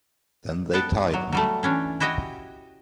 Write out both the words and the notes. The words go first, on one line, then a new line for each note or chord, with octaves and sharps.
Then they tied me.
B3 F#5 G5 A5
F#3
F#3 G3 A3
E3 C#4 D4
E4 F#4 G4 D#5 G5 G#5